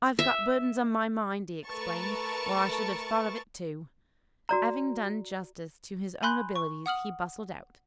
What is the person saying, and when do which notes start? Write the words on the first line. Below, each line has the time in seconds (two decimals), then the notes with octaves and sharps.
"I've got burdens on my mind," he explained, "or I should have thought of it too." Having done justice to his own abilities, he bustled out.
0.19 E5
1.66 A3 A#4 B4 A5 C#6 A6
4.49 F#4 D5 A#5
6.23 G#5 B5 C6 F#6 G6
6.56 C#6
6.86 F#5 D#6 F6 F#7